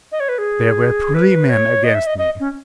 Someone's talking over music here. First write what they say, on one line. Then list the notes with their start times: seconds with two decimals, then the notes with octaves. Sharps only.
There were three men against me.
0.12 D#5
0.20 C#5
0.29 B4
0.38 G#4
1.14 B4
1.49 C#5
1.84 D#5
1.95 E5
2.07 D#5
2.18 D#5
2.40 C#4